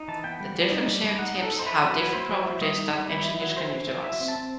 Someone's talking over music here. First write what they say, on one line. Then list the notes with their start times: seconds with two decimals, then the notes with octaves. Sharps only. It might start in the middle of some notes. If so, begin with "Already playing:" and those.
The different shaped tips have different properties that engineers can utilize.
Already playing: D#4
0.08 E3 A5
0.24 B3 G5
0.40 G3
0.55 G3
0.72 D#4
0.88 G3
1.04 G3
1.19 D#4 F#5
1.35 D#4
1.43 A4
1.51 D#4
1.59 C5
1.66 E4 B4
1.82 F#3
1.91 B4
1.98 F#3
2.13 E4 C5
2.29 F#3
2.45 E4
2.61 G3 D#5
2.78 D#4
2.93 G3
3.09 E4
3.25 E4
3.40 F#3
3.56 E3 C5
3.73 E3
3.88 E4
4.04 F#3 E5
4.20 C4
4.28 A5
4.35 C4